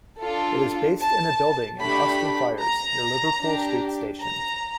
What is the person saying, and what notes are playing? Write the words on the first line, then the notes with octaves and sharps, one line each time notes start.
It is based in a building in Austin Friars, near Liverpool Street station.
D4 F4 A4
A5
A3 D4 G4 B5
A#5
D4 G4
A#5